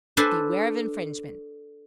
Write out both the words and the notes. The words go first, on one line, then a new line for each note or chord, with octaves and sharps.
Beware of infringements!
D4 A4 B4 C5 G#5 A5